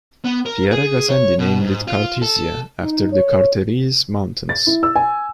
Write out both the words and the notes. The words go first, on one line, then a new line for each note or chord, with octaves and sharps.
Pierre Gassendi named it Carthusia after the Chartreuse Mountains.
B3
A#4
G#4
C#5
B2
G#2
F4
A4
D#4
C#5
A6
E4
E6
G#5